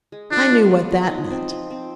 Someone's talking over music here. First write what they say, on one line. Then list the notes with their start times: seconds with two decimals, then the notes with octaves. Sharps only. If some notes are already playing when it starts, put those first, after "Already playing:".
I knew what that meant.
0.12 G#3
0.31 F3 D4
0.51 F4
0.70 B3
0.91 F3
1.10 D#4
1.30 C4
1.50 F3
1.70 C4